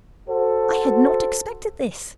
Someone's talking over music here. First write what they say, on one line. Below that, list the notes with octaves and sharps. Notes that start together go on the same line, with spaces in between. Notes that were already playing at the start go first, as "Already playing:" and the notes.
'I had not expected this.
F#4 A4 C5